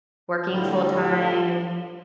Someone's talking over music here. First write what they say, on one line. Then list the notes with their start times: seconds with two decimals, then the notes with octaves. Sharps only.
working full time
0.49 A2 D3 G3